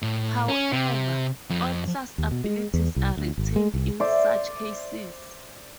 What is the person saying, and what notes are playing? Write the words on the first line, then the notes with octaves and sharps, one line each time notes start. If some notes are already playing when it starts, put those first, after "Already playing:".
However, all class abilities are retained in such cases.
A2
C#4
C3
F2
D#2
B2
G#3
E2
C2
D2
G#1
G#3
C2
C5 D5 E5